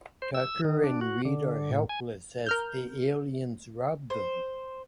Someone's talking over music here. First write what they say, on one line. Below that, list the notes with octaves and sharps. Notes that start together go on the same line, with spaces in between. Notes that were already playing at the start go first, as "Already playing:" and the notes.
Tucker and Reed are helpless as the aliens rob them.
C5
E6
D#3
D4
F#4
D3
A2
G#5
A#4 F6 G6
C5